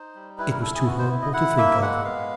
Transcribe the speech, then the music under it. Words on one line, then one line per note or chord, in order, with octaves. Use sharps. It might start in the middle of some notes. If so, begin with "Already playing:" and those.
It was too horrible to think of.
Already playing: D#4 C5
G3
E4 B4
A#4
E4 A4
G#4
B3 F#4
C5
E4
D#5
E4 F#5
A#3 E5
G#3 F#5
B3 F5